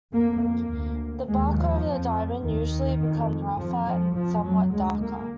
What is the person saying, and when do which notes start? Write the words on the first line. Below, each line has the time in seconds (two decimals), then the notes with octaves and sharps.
The bark over the diamond usually becomes rougher and somewhat darker.
0.13 F2 A#3
0.42 A#3
0.71 D2
1.27 D#2 G#3
1.56 F3
1.85 F2
2.43 D#2 D#3
3.00 F2
3.58 F2 F3
3.86 F3
4.15 F2 F3
4.44 F#3
4.72 D2 G#3
5.01 A#3